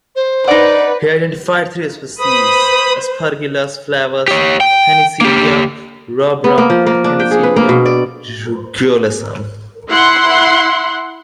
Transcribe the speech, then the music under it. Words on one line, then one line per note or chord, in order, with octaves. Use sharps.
He identified three species - Aspergillus flavus, Penicillium rubrum and Penicillium rugulosum.
C5
D#4 B4 D5 F#5
B4 C5 B5 D#6
G4 C#5
G5
A#3 G4
B3
A#3
F3
A#3
D4
G5
G#4
B4
A#3
B2
D5
E4 F#5 C6